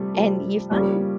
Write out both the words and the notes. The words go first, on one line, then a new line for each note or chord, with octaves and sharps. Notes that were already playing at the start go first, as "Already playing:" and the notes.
And you find
Already playing: C3 F3 G3 A3
C3 F3 A3
C#3 F3 G3 A#3 C#4